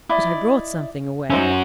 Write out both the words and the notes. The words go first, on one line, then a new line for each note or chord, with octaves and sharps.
But I brought something away.'
E4 D5 D#5
C#4 D#4 F#4 C5 E5